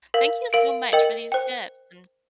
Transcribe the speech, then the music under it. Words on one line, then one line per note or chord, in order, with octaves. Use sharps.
Thank you so much for these tips and
A#4 F5
A#4 F5 D7
A#4 D#5 G5
C5 G5